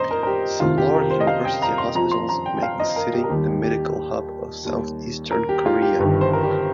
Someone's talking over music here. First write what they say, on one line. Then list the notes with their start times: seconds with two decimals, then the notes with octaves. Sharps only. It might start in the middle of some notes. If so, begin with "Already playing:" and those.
Some large university hospitals make the city the medical hub of south-eastern Korea.
Already playing: A#2 C5 D#5 A#5
0.11 A#4
0.23 A#4
0.27 G4
0.60 F2 C3 D#3 F4
0.78 G4
0.94 A#4
1.11 C5
1.20 D#5
1.27 F5
1.45 G5
1.62 A#5
1.78 C6
1.95 F2 F3 A#5
2.11 C6
2.29 A#5
2.46 G5
2.57 G5
2.63 F5
2.80 D#5
2.96 A#4
3.13 G4
3.24 A#4
3.29 D#2 D#3 G3 G4
3.63 G4
4.65 D#2 D#3 G3
5.31 A#4
5.49 G4
5.66 F4
5.82 G4
5.99 G1 G2 D#3 G4
6.21 C5
6.33 A#4
6.43 G4